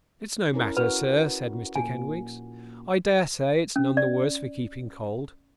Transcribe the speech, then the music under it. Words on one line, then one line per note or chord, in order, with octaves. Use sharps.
'It's no matter, sir,' said Mr Kenwigs. 'I dare say it's none the worse for keeping cold.
C#4 E4 A#4
F#4 B4
A#2 G#5
C#4
D5